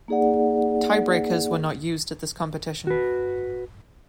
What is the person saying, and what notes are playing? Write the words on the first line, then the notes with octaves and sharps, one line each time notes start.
Tie-breakers were not used at this competition.
A#3 D#4 G#4 D5 F#5
F#4 B4